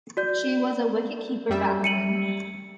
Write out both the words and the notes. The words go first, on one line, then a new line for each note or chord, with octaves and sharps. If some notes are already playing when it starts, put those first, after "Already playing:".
She was a wicketkeeper batsman.
F#4 D5 G6
F#2 G3 E5
C#7 D#7 F#7